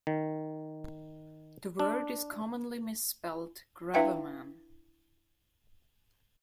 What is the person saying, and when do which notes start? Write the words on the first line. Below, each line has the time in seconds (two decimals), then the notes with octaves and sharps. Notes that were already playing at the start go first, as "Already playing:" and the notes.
The word is commonly misspelled "gravaman".
0.07 D#3
1.79 D4
3.94 D4 E4 B4 E5 F5 G5